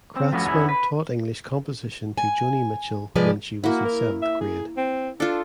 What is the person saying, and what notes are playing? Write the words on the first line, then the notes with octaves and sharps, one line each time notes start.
Kratzmann taught English composition to Joni Mitchell when she was in seventh grade.
C4
F3 A3 B3 C#4 F#4
E2 B3 C#4 E4
B4
G#5
C3 F3 G#3 B4 D5
A#3 E4 F#4
A#4
E5
G#4
C4
D4 F4 A4